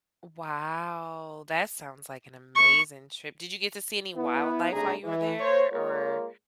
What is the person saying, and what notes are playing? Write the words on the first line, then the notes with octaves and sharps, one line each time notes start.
Wow. That sounds like an amazing trip. Did you get to see any wildlife while you were there or
C#6
B3 E4
B1 C3 A3 D4 G#4 A#5
E3
C5 C#5
G#3 A#3 F4 A#4 C#5